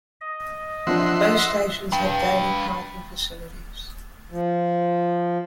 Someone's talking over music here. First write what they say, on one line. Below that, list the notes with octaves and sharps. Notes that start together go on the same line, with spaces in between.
Both stations have daily parking facilities.
D#5
F3 D4 E5 F#5 C6
B4 G5
F3